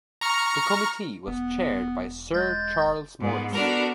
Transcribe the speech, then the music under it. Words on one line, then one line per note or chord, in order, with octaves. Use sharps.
The Committee was chaired by Sir Charles Morris.
A#5 C#6 F6
E1 B3
G#3 G6 A6
G#2 B3
B3 D4 F#4 A4 A#4